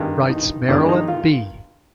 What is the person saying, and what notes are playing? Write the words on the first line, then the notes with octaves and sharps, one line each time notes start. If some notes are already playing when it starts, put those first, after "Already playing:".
Writes Marilyn B.
Already playing: G2 D#3 G#3
D#4
G2 D#3 G#3 D4
D#4
F4